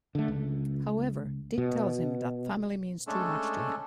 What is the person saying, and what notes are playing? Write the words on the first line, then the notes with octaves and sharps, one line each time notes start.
However, Dick tells him that family means too much to him.
D3 A3
C#2
B2
G#3 A3 C#4 D4 A4